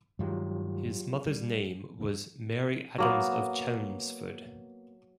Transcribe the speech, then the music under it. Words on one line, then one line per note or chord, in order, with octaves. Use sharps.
His mother's name was Mary Adams of Chelmsford.
G2 D#3 F#3 G#3 F4 G4
G3
F#3 A#3 B3